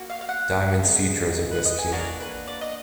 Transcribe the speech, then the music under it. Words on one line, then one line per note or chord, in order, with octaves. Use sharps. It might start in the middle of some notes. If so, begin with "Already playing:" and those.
Diamond's future is at risk here.
Already playing: A#3 F#4
F5
F5
F#5
B3 D#4 G#4
B4
D#5
G#5
A#3 D4 F#4 A#4
B4
D5
D#5